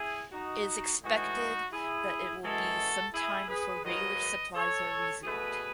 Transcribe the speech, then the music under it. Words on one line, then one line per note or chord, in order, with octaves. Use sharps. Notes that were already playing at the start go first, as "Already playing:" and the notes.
It is expected that it will be some time before regular supplies are resumed.
Already playing: E4 G#4
D#4 F#4
A2 E3 G#3 D#4 F#4
E4 G#4
F#2 E3 G#3 F#4 A4
E4 G#4
G#4 B4
G#2 D#3 F#3 B4 D#5
A4 C#5
B2 A3 G#4 B4